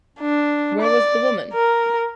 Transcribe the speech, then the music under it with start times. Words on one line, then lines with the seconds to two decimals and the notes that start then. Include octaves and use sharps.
Where was the woman?
0.20 D4
0.82 D5
1.53 A#4